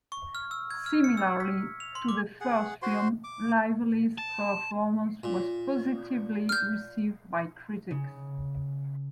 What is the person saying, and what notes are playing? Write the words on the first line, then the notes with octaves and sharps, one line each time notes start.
Similarly to the first film, Lively's performance was positively received by critics.
C#6
F6
E6
G#6
F6
C#7
E6
B6
F7
C6
D6
G#4 F#5
F#4 C5 C6
D6
A5
A#2
F6 G6
C#3